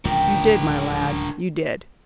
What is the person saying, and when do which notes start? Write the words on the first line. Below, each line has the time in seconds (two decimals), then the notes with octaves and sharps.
"You did, my lad; you did."
0.05 D1 C#2 F3 D4 G4 A#4